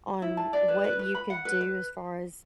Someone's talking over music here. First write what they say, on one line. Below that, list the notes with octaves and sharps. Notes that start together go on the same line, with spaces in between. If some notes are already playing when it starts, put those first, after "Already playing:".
on w what you could do as far as
E4
A5
D5
B4
B4
B4
B5
F#5
B4
B4